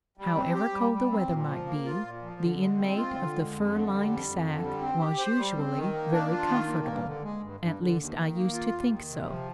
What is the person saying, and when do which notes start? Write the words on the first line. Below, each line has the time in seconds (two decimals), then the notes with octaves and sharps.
However cold the weather might be, the inmate of the fur-lined sack was usually very comfortable--at least I used to think so.
0.17 G3
0.36 C4
0.54 G4
0.73 G3
0.92 G3
1.10 C4
1.29 A#2
1.47 F3
1.66 A#3
1.85 F4
2.03 A#2
2.22 F3
2.40 D3
2.59 G#3
2.78 C4
2.96 F4
3.15 D3
3.33 G#3
3.52 F2
3.70 D3
3.89 G3
4.07 F2
4.26 F2
4.45 D3
4.63 G3
4.81 C4
5.00 G4
5.19 C5
5.38 G3
5.56 C4
5.75 D#3
5.93 A#3
6.12 D4
6.30 F4
6.49 D#3
6.68 A#3
6.86 G2
7.04 D3
7.23 G#3
7.42 G2
7.60 G2
7.79 D3
7.98 D#2
8.16 D#3
8.35 A#3
8.53 F4
8.72 D#2
8.90 D#3
9.09 C3
9.27 F3